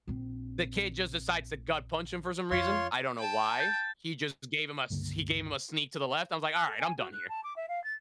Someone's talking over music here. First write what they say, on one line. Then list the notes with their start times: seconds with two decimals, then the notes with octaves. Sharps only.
The kid just decides to gut punch him for some reason. I don't know why. He just gave him a s he gave him a sneak to the left. I was like, "All right, I'm done here,"
0.08 A#1 C4
2.51 F2 F4 C#5 C6
3.17 G5 A5
3.58 G6 A6
4.90 C#2 G2 D3 A#3
6.54 F#6
6.68 A4
6.79 G#5
6.98 F#4
7.12 F#6
7.29 A5
7.44 D6
7.56 E5
7.69 F5
7.84 A6